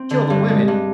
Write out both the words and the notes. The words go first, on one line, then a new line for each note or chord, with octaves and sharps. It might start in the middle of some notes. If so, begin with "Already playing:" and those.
Kill the women?
Already playing: C4
D3
G2
G#3
G2